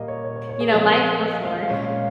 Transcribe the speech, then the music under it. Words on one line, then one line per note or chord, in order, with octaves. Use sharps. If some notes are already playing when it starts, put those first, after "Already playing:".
you know, life before.
Already playing: A#2 G3 A#3 D#5
C#5
C#5
C#5
C#5
G#4
F3 C4 G#4
A#4
D#5
F5
F5
A#2 G#3 C#4 C#5
F5